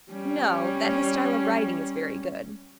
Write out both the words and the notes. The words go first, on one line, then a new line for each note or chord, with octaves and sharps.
"No; that his style of writing is very good."
G3 C#4